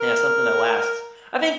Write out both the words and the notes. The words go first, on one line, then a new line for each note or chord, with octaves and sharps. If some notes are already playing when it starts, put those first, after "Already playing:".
Yeah, something that lasts. I think,
A#4